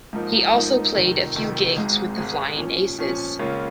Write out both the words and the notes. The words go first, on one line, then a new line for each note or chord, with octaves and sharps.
He also played a few gigs with the Flying Aces.
G#2 F3 A#3 D#4
G#2 F3 A#3 D#4
F1 F2 D#3
F1 F2 D#3
G#1 G#2 G#3
G#1 G#2 G#3
A#2 F3 C#4
A#2 F3 C#4
C#2 C#3 A#3 C#4 F4